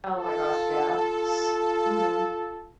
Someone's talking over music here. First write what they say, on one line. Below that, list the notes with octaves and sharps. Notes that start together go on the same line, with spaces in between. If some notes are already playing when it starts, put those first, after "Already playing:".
Oh my gosh, yeah. S Mhm.
F4 A4